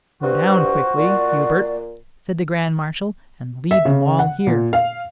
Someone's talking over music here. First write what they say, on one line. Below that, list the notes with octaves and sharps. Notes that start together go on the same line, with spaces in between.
"Go down quickly, Hubert," said the Grand Marshal, "and lead them all here."
G2 F4 F#4 C5
A#2 D5
E5
C#3
F#5
A#2
F5